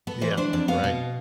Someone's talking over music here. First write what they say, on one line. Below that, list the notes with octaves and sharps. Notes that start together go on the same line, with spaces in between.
Yeah. Right.
B3 A4
E3 C5
D4 C5
F2 D5
B3 F5
B2